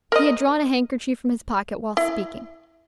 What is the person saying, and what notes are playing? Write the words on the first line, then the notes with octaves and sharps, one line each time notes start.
He had drawn a handkerchief from his pocket while speaking.
A#4 C5 D#5
E4